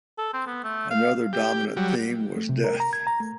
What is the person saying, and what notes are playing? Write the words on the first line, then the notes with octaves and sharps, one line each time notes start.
Another dominant theme was "death".
A4
C4
B3
A3
F5
G4
F#3 G3
A3
C3
A#4
A#5
G#6
A#5
A3